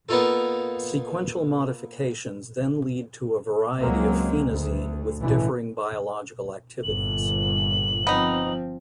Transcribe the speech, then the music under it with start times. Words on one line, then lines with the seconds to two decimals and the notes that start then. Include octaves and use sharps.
Sequential modifications then lead to a variety of phenazine with differing biological activities.
0.09 A#3 B3 D#4 F4 A4
3.79 C#2 F#3 G#3 A#3 C4
4.48 D2
5.21 A1 B2 D3 E3
6.83 G1 A#2 D3 F#7
8.07 F3 B3 C4 D#4